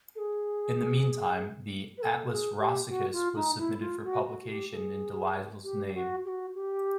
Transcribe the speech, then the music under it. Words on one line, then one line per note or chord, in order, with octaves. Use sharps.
In the meantime, the "Atlas Rossicus" was submitted for publication in Delisle's name.
A4
G#4
B4
A4
A4
G#4
G4
F#4
F4
D#4
E4
F4
F#4
F#4
G4
A4
G#4
G4
G4
F#4
G4
F#4
G4